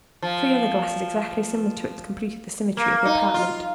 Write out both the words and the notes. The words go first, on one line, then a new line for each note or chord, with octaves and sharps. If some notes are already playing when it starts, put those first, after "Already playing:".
Three other glasses, exactly similar to it, completed the symmetry of the apartment.
F3
A#3
D#4
F4